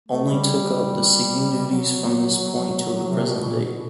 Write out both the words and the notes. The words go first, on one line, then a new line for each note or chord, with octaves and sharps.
Only took up the singing duties from this point till the present date.
A3
G3
F#3
C3
B2
A#2
B2